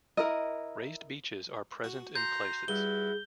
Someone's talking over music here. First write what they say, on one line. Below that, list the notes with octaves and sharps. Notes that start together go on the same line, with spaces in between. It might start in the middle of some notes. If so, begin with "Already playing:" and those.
Raised beaches are present in places.
E4 A#4 D#5
F#4
A#5 C6 G6
G2 E4 F#4 G#4 G7